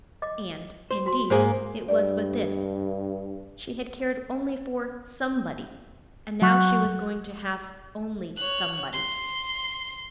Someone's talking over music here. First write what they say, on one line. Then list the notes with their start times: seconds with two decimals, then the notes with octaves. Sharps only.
And, indeed, it was but this: she had cared only for Somebody, and now she was going to have only Somebody.
0.22 D#5 D6
0.91 C5
1.06 F#4 C6
1.30 G#2 A#3 G#4 C5 F5
1.88 G2 D5
6.42 F#3 F#5 C#6 F#6
8.37 C#5 F#6
8.93 C6